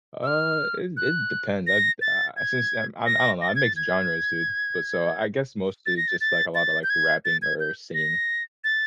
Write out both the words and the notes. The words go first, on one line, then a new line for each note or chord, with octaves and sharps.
Uh, it it depends, I'd uh, uh, since I'm I'm I don't know, I mix genres, dude, but so, I guess mostly just like a lotta, like, rapping, or singing,
E6
F6
F#6
A#6
A6
G#6
A#6
A#6
A6
G#6
A6
G#6
A6
A#6
A6
A6
A6
G6
G#6
A6
G#6
G6
A#6
A6